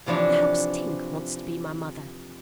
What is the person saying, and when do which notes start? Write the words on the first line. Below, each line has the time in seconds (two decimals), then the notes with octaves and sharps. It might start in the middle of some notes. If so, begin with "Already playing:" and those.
'Perhaps Tink wants to be my mother?'
0.06 C3 E3 F3 D4 C#5